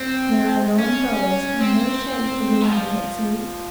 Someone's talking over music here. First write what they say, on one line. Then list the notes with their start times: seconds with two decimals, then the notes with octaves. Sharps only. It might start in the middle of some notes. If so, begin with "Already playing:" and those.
There are no umbrellas, and no sheds to go under, at sea.
Already playing: C4
0.79 C#4
1.60 C4
2.70 F3